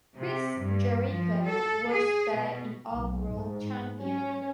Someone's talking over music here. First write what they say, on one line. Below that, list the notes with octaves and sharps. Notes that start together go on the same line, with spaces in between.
Chris Jericho was the inaugural champion.
C3
G2
F3
A4
G#4
B2
B1
G#2
C#4